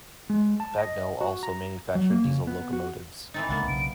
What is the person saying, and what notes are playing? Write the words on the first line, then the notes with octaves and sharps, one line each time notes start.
Bagnall also manufactured diesel locomotives.
G#3
A5
D#5
F#4
A#5
F#3
A#3
C#3
B3
F#4
E3 C4 D#4 A6
C#2 A#3 B3 D5
B1 C#3 D7